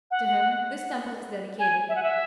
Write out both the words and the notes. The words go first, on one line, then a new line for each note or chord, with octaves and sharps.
To him this temple is dedicated.
F#5
G#5
E5
F#5
E5